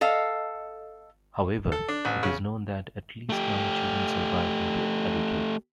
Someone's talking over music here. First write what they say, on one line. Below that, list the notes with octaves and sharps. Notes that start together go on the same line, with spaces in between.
However, it is known that at least nine children survived into adulthood.
A4 D#5 F5
A4
D4
A1
C#3
A3 G4